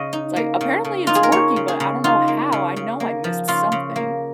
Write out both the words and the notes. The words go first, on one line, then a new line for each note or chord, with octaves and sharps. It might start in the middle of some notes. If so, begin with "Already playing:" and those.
it's like, "Apparently it's working, but I don't know how. I know I missed something
Already playing: C#3 D#5
D#4
A#3
C#3
C#3
D#4 F4
G#4
A#4
A#3 C#5
C#3
G#4
C#3
D#4 F4
A#3
C#3
C#3
A#3
F3
C#3 F4
C#3
A#3